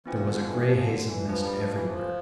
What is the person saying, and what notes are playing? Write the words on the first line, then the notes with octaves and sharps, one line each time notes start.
There was a gray haze of mist everywhere.
E3 B3 D4 F4 C5 G5
D3
F3
E3
F3
E3
D3
E3
F3 A3 D4 F4 B4
G3
F3
E3
F3